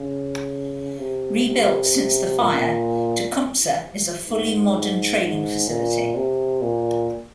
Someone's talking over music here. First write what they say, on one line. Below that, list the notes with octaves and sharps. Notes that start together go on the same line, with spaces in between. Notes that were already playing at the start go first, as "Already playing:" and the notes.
Rebuilt since the fire, "Tecumseh" is a fully modern training facility.
Already playing: C#3
C3
C3
A#2
G#2
G#2
A#2
C3
A#2